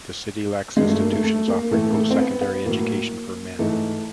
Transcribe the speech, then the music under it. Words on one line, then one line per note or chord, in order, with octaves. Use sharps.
The city lacks institutions offering post secondary education for men.
G2 D#3 F#3 G#3
A3
A#3
A3
A3
A#3
A2 E3 A3
A#3
A3
C4
B3
B3
A2 F#3 A#3
G#2 E3 A3